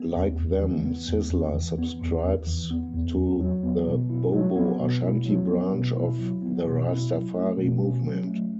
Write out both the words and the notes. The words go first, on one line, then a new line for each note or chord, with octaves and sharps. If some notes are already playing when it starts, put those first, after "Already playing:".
Like them Sizzla subscribes to the Bobo Ashanti branch of the Rastafari movement.
Already playing: B3
E2
E2
E3
B3
E2
E2
E3
B3
E2
E2
E3
B3
E2
E2
F#3
B3
B2
E4
F#3
B3
B2
E4
F#3
B3
B2
E4
F#3
B3
B2
E4
F#3
A3
B2
C#4
F#3
A3